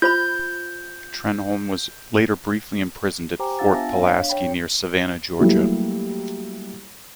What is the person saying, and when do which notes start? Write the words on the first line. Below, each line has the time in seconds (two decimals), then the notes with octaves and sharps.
Trenholm was later briefly imprisoned at Fort Pulaski near Savannah, Georgia.
0.02 F4 C5 B5 G6
3.39 G4 C5 G5 G#5 A#5 D6
3.59 D4 F4 F5 F#5 E6 A6
3.73 B3 E5 G#5 A5 E6 A#6
3.93 C#5 F5
4.07 D4 B6
4.30 C#5 G5 B5
5.39 F#3 G3 A3 A#3 E4 G4